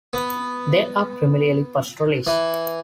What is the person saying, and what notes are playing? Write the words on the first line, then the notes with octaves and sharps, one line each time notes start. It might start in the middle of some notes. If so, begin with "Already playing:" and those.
They are primarily pastoralists.
B3
E3